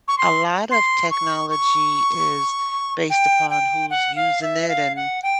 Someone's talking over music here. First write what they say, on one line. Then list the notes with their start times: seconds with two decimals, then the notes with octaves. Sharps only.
a lot of technology is based upon who's using it and
0.08 C#6
0.18 C6
0.71 C6
1.11 C#6
1.50 C#6
3.10 G5
3.50 G5
3.90 F#5
4.16 F5
4.42 E5
4.69 F5
4.96 F#5
5.23 G5